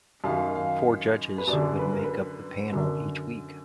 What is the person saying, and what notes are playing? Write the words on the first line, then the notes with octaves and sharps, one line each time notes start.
Four judges would make up the panel each week.
F#2 D#3 F5
F5
B4
F#2 D5
D3
B4
A#4
B4
F#2 D3 A#4